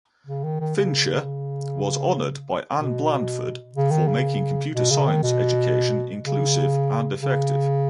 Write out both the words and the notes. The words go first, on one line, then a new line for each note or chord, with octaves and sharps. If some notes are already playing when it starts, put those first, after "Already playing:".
Fincher was honoured by Ann Blandford for ‘making computer science education inclusive and effective’.
C#3
D#3
D#3
C#3
B2
C#3
D#3
C#3
B2
C#3
D#3
B2
C#3
C#3